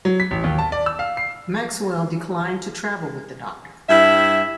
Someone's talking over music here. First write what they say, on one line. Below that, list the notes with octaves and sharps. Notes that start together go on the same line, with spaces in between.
Maxwell declined to travel with the Doctor.
F#3
B6
A1
D#2
A5
D5
E6
F5
C7
G2 E4 E5